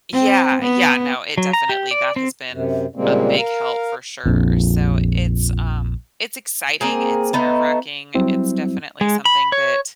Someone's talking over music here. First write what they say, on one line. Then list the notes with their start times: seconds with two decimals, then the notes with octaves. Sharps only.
Yeah, yeah, no, it definitely that has been a big help for sure, so it's um, it's exciting, it's nerve racking, it's definitely something that,
0.13 C4
0.62 B3
1.38 F#3
1.53 A#5
1.69 G4
1.91 D5
2.16 C4
2.51 F#2 C3
2.96 A#2 C#3 G3 G#3 A#3 C4
3.37 A#4 F5
4.26 A#1 F2
6.81 A#3 C4 G#4
7.33 A3 B3 D#4
8.15 F#3 G3 C4 E4
9.01 G#3
9.25 B5
9.52 C#5